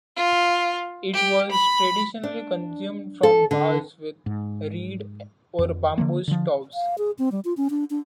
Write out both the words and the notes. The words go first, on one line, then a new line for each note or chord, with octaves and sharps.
It was traditionally consumed from jars with reed or bamboo straws.
F4
G4
B5
D4
A4
D3
G#2
F2
D3 D#3 F3 A#3
D3 F3
F5
G#4
C4
G3
F4
C#4
D4
D4